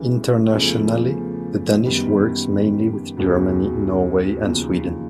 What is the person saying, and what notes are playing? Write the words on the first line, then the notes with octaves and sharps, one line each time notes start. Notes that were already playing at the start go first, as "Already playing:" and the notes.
Internationally the Danish works mainly with Germany, Norway and Sweden.
Already playing: C#2 C#3 E3 G3
E2 C#3 F3 A3
F#2 D#3 G3 B3
D#2 C#3 F#3 B3
D#2 C#3 F3 A#3